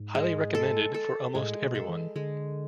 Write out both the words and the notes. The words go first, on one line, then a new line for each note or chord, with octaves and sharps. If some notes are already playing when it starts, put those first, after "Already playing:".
Highly recommended for almost everyone.
Already playing: G#2
G#3
A4
A4
A2 G#3
B2
A4
E3
D3 G#3